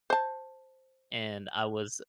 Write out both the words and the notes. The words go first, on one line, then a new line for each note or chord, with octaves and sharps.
and I was"
C5 A5